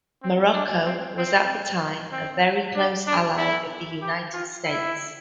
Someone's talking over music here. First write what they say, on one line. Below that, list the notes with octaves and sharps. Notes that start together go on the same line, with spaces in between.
Morocco was at the time a very close ally of the United States.
C4
D4
C4
C4
C4
D4
D4
E4
G4
F4
E4